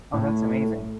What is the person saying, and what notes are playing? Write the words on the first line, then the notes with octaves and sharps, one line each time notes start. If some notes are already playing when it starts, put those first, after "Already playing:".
Oh, that's amazing.
A2